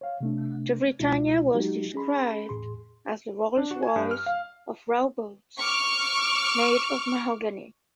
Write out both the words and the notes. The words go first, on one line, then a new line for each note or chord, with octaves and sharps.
The Britannia was described as the Rolls-Royce of rowboats, made of mahogany.
C#5 F5
C3 A3 D4
C#2 B2 G#3 E4 F4
F#3 G#3 D#4 F#4 G4
C#4 G#4 B5 C6
E2 A2 G#4 C6
D4
F#4
G#5
G2
F6
F5
C#6 D6 F6